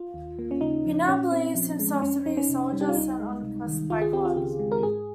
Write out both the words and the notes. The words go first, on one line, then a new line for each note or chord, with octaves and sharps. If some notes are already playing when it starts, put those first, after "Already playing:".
He now believes himself to be a soldier sent on a quest by God.
Already playing: F4
D#2
A#3
C#4
C#3 D#4
F3
A#2 C#4
C4
F3
G#3
F2 C#4
F2 D#4
C#4
C3
G3
G4
F4
C#2 D#4
G#3
C3
D#3
C#2 F4
G#4
C4 G4
F4
C#3 G4
G#3
A#4
G#2 G#4